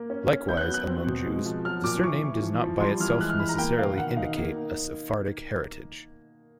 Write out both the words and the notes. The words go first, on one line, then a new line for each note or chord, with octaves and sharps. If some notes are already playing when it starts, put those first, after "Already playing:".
Likewise, among Jews, the surname does not by itself necessarily indicate a Sephardic heritage.
Already playing: A#3
C#4
C#4
B3 G6
F#6
G6
F#3
F#6
C4
B2
G#3
F3
F#3 F6
A#2 D6
E3 C#6
E3
F3
F3
G3 C6
E3 F6
G#3 F#6
F6
E3 B5
A#5
A#3 G5
B2 F5
D#3 F#5
D#4 F5
A#3
D#4